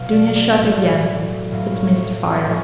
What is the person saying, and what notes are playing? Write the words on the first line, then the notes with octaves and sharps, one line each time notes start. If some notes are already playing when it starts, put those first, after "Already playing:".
Dounia shot again: it missed fire.
Already playing: B2 F#3 F5
D5
D5
A2 F#3 F5
A2 F#3 F5
C#5
F5
A2 F3 G#3 C#5